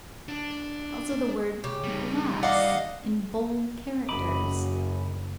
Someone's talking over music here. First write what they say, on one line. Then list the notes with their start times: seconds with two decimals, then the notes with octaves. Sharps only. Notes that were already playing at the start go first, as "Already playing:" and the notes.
Also the word GLASS in bold characters.
0.28 D4
1.64 C#3 G4
1.84 G3 D#4
2.43 D5 D#5 F5 F#5
4.09 F#1 F#2 D#5 B5 D6